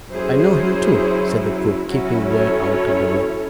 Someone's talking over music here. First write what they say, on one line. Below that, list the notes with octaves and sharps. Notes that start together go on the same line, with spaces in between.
"I know him too," said the cook, keeping well out of the way.
F#3 C#4 E4 G#4 C5
F#3 C#4 E4 F#4
A4 C#5